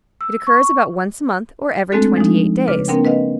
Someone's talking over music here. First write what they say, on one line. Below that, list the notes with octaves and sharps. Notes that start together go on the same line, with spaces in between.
It occurs about once a month or every twenty-eight days.
E6
C#6
G#3 A3 C4 D4 F#4 A4
F3 G#3 D4 D#4
C#3 B4 D6
A#3 C4 D4 A#4 F#5 G5
B4 D#5 F5 F#5